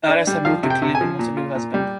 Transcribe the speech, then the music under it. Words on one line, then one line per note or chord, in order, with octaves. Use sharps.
Alice had moved to Cleveland with her new husband.
D4
G3
F3 F5
C3
G5
C3
G#5
F3
A#2
F4
A#2
G3